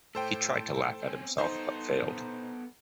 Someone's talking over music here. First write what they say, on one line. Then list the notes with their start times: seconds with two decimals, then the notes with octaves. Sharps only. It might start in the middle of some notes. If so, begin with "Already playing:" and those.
He tried to laugh at himself but failed.
0.15 A2 A4 C5 G5
1.02 C4 C#4
1.38 B3 D#4 A4 C5